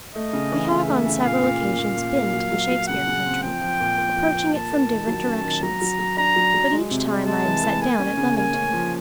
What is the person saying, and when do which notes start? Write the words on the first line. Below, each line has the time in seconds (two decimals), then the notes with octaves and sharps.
I have on several occasions been to the Shakespeare country, approaching it from different directions, but each time I am set down at Leamington.
0.15 A3 D#5
0.33 C#3
0.52 E3
0.70 C#3 E5
0.88 A3
1.06 C#3
1.24 A#2 F5
1.43 A#2
1.61 A#3
1.79 A#2
1.97 A#2
2.15 A#3
2.34 F#3
2.52 F#3
2.71 F#3
2.88 C#3 F#5
3.08 C#3
3.26 C4
3.43 F3 G5
3.61 F3
3.81 A#2
3.98 A#2
4.17 F3
4.34 A#2
4.53 A#3 A5
4.72 A#3
4.90 D#3
5.07 F#3
5.26 C#4
5.44 D#3
5.63 F#3 A#5
5.81 F#3
5.99 F#3
6.17 D4 A#5
6.36 F#3
6.54 F#3
6.72 G#3
6.91 C3
7.09 G#3
7.27 G#3 A5
7.45 E3
7.64 E3
7.82 A#3 G#5
8.00 C#4
8.17 C#3
8.36 A#3 G#5
8.54 C#4
8.73 F3